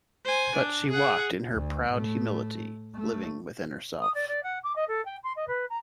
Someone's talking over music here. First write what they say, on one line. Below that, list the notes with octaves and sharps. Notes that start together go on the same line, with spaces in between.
But she walked in her proud humility, living within herself.
C5 G#5
D4
G#4 F#5
D2
A2 A3
A3
D#6
D5
D5
F#5
D6
D#5
A4
G5
C6
D#5
B4
A#5